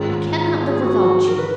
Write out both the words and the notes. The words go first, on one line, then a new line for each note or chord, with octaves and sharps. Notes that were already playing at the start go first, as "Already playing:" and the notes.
I cannot live without you!
Already playing: G#2 D#3 G#3 C#4 F4
G#4
F#4
A#4
B4